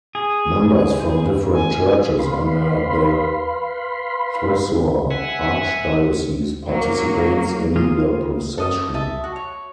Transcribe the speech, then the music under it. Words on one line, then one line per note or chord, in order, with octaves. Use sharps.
Members from different churches under the Thrissur Archdiocese participates in the procession.
G#4
G#5
B4 F5 B5 C6
E5 F#5 G#5
F#3 A#3
A#3 F4 G#4
A4 D#5 D#6
D#5 E5 A5
F#4
C#5